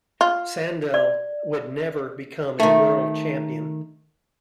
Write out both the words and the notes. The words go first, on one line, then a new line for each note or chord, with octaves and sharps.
Sandel would never become a world champion.
F4
D5
D#3 A3